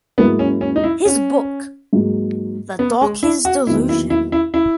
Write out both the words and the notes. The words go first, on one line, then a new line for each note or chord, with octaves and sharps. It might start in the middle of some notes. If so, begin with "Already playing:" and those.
His book: The Dawkins Delusion?
G#2 F#3 A#3 B3 E4 A#4
C#4
C#4
D#4
E4
C#4
G#2 F#3 A#3
B3
G#3
E4
F#4
E2 D#3 F#3 A#3 D#4 E4
E4
E4
E4
E4